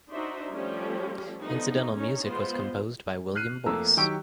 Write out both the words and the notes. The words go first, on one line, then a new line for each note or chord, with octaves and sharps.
Incidental music was composed by William Boyce.
D4 D#4 F#4 C5 E5
F3 G3 A3 C#4 G4
D3 F3 B3 D#4
C#4 D#4 C#5
G#3 B3 F4 C5
F6 F#6 C7 D#7
F2 A3 A#3 A#5 E6
D#3 F#3 G4 G5 C#6 E6